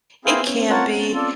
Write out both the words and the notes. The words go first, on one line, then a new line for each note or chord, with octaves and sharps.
It can be,
A#3 C4 E4 G#4 C5 F5
B3
C#4
C4
A3 F4 A#4 C#5 F#5 A5
F4 A4 D5